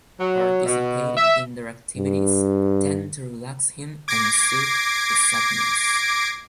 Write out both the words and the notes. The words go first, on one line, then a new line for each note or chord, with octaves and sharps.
Participating in their activities tend to relax him and sooth the sadness.
F#3
B2
E5
G2
D6 G#6 A#6 C7 D7